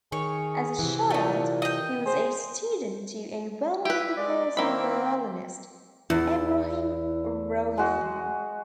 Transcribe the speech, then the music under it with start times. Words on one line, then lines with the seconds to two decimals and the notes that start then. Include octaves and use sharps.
As a child, he was a student to a well-known Persian violinist, Ebrahim Rouhifar.
0.12 D#3 G#4 C#5
0.79 C3 E3
1.10 A#2 A3 D#4
1.62 D#5 G5
2.06 G#4 C5
3.85 E4 G4 B4
4.18 G#3 D5
4.57 D#3 A#3 C4 E4 B5
6.10 E2 E4
7.78 G#3 F#4